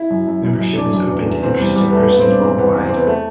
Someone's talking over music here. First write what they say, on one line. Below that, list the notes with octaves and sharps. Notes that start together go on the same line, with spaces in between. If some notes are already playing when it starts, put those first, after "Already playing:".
Membership is open to interested persons worldwide.
Already playing: E4
F#2
F#2
F#2
F#2
F#2 D4
F#2
E2
E2
E2 C4
E2 G3
E2 G3
B3
E2 A3
G2 B3
C4
G2
D4
E2 C4
E2 B3
E2 C4
E2 C4
B3
A3